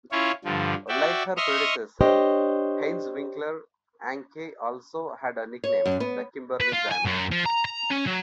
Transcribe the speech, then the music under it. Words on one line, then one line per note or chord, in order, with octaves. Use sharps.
Like her predecessor, Heinz Winckler, Anke also had a nickname: The Kimberley Diamond.
C#4 E4 F4 C#5
G2 D3 F3
F#4 D5 E5 G5
D#5 E5 C6 C#6 D#6 F6
D4 G4 C5 C#5 D#5
C#5
F#2
B3
B4
F4
G#5
F#2
F3
A#5
A#5
C#4
F#3